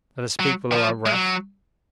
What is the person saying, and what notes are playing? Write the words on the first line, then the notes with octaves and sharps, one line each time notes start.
"Let us speak below our breath."
F#3
D#3
F3
G#3
F#3